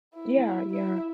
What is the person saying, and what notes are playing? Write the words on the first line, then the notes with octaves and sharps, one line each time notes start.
Yeah, yeah,
E4
E4